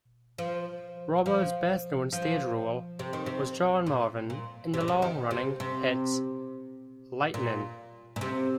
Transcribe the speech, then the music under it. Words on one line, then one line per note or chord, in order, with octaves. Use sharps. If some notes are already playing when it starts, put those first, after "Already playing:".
Robards' best known stage role was John Marvin in the long-running hit "Lightnin"'.
F3
F3
F3
C3
D#3
C3
A#2
A#2
C3
A#2
C3
D#3
C3
C3
A#2
A#2
C3